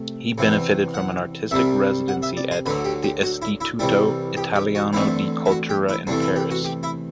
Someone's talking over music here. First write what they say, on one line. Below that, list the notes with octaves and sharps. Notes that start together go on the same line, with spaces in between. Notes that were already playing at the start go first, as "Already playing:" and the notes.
He benefited from an artistic residency at the Istituto Italiano di Cultura in Paris.
Already playing: C3 A3
E2 C3 E3
F#5
C2 C3 G3 E5
F#5
E5
D5
C5
D2 D3 F#3 B4
G4
G4
F#4
E4
E4
C2 C3 E3 G3 E4
G4
G4
F#4
E2 D3 A3 C4 E4
E4
F#4
G4
E4
E2 C3 E3 A3 D4
E4
G4
F#4
G4
E4